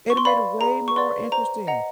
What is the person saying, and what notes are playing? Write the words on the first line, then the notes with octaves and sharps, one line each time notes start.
it'd a made it way more interesting
C#6
C6
B4 D5 F5 B5
G#4 A#5
C#6
B4 D5 F5 C6
C5 A#5
D#5 F#5 A#5